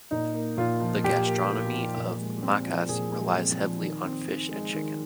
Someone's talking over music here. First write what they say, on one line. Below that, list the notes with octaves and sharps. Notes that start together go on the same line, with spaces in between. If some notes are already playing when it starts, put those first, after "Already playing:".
The gastronomy of Macas relies heavily on fish and chicken.
A#2 D#4
A#3
A#2 F4
F3
A#2 G4
A#3
A#2
F3
A#2
G#3
C4
F3
A#2 G#4
G#3
C4
F3
D#3
C4
D#3
G#3
D#3